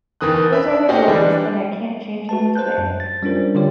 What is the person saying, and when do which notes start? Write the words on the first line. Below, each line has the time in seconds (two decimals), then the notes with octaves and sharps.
Those are the rules and I can't change them today.
0.21 D#2 D#3 E3 D#6 F#6
0.53 E5 B5
0.88 C#4 D#4 F#4 G4 C5 F#5
1.08 E3 G3 D4
2.29 F#4 B4 A5
2.55 C5 A5 F#6 G6
2.78 F#2
3.00 A6
3.23 G3 C#4 D4 F4 A#4 C5
3.55 D3 G3 F4 G4 C#5